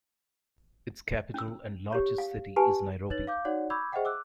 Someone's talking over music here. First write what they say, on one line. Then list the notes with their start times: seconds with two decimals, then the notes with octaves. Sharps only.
Its capital and largest city is Nairobi.
1.34 C#4 E6
1.93 G4 C#5
2.18 F5
2.56 G4 B4 G#5 A5
3.10 D#4 B4 C#5 A6 F#7
3.27 F5 D6 G6
3.45 D#4 F#4 C#5 D5 F#5
3.70 B5 C#6 D6 E6 G6 G#6
3.92 G#4 C5 D#5 E5 F#5 G5
4.05 D6 E6 F#6